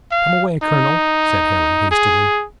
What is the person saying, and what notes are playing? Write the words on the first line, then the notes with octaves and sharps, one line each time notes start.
"Come away, colonel!" said Harry hastily.
F5
D#4
G#4